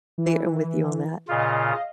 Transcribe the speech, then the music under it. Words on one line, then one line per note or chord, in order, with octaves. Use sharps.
am with you on that.
E3
A#2 C#3 F4 D#5 F5